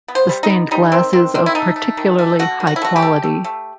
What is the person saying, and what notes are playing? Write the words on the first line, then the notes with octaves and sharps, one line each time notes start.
The stained glass is of particularly high quality.
B3
C5
G3
D#4
B3
G3 D#4
D#3 C4
D#3 C4
D#3 C4
E4
A3 D#4
A3
D#3
A3
A3 F#4
D#3
F#4
E4
A3 F#4
G4
A3
A3
A3